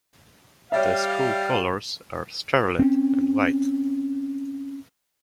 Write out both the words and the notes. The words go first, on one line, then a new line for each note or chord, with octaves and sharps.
The school colors are Scarlet and White.
G3 C#5 E5 F5
C4 C#4